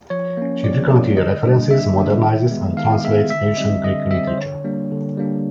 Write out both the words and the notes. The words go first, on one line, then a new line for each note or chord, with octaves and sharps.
She frequently references, modernizes, and translates Ancient Greek literature.
F3 C#5
A#3 C#4
F3 D5
A#3 C#4
D3 D#5
G3 A#3 D4
D3 E5
G3 A#3 D4
D#3
G#3 B3
D#3 F5
G#3 B3 E5
D3 E5
G3 C4 D#5
D3 D#5
G3 C4 E5
C5
D3 C#5
G3 A#3 D4
D3
G3 A#3 D4